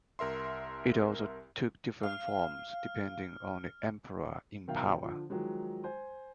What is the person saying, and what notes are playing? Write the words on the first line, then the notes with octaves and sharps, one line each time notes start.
It also took different forms depending on the emperor in power.
C2 A#4 E5 C6
F5 F6
B2 D#3 F#3 E5 F5 G5
D3 F3
D#3 F3 F#3 G#3
C5 G#5